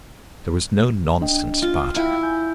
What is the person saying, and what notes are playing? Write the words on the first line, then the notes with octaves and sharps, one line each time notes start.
There was no nonsense about her.
D4 D#5 G5
F4
E4 F5 G5
G#5 G6